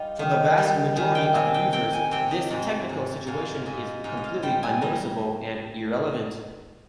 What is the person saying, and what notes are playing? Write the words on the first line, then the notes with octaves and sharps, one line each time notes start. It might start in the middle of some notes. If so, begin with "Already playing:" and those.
For the vast majority of users this technical situation is completely unnoticeable and irrelevant.
Already playing: G3 D#4 F4 G4
D#3
G3
D#3 G#4
G5
C3 G#5
G5
C3 G5
G#5
C3 G5
D#5
G#2 D5
G#2
G#2 F5
F5
G#2 D#5
G#2 F5
D#5
F5
G3 G5
G#5
G3 A#5